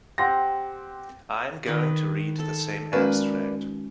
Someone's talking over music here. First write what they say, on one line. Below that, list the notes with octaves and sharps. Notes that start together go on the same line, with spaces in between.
I am going to read the same abstract.
C4 G4 F#5 C6 A#6
D#3 B4 D#5
A4 A5
G#3 A#3 C#4 F#4 B4 D5